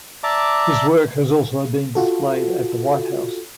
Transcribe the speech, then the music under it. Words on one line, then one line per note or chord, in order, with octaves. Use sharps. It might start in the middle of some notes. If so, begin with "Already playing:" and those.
His work has also been displayed at the White House.
D5 E5 A5 A#5 D6
F4 F#4 A4